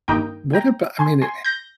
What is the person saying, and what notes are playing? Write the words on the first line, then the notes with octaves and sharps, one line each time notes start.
what abou I mean, eh
G2 D#3 A#3 D#4 G5 A#5
G5 A#5
G#5 C6
G#5 C6
G6 A#6